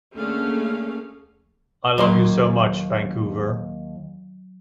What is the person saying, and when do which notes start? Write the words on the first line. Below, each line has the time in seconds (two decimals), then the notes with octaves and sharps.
'I love you so much, Vancouver.
0.15 D3 A3 A#3 C#4 G#4 F5
1.98 D#2 F#3 A#3 C6